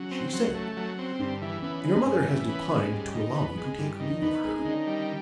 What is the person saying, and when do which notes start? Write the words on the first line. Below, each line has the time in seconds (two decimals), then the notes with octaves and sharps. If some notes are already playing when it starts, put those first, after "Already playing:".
She said, 'Your mother has declined to allow me to take leave of her.
Already playing: F#3 C#4
0.11 C4
0.33 F#3
0.55 A3
0.77 F#3
0.99 C4
1.20 G2 D4
1.42 E3
1.63 B3 C#4
1.85 G#3
1.96 C#4
2.06 G2 D4
2.28 E3
2.49 B3
2.71 G#3
2.93 G2
3.14 D#3
3.35 B3
3.58 G#3
3.79 G2 E4
4.00 D#3
4.10 D4
4.22 B3 D#4
4.44 G#3
4.59 C#4
4.65 D#3 D4
4.87 G3